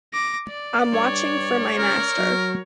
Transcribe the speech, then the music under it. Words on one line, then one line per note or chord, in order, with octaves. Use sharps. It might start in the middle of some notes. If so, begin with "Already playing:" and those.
I'm watching for my master.
D6 A#6
D5
G2 C#5
C#2 A#4
F#3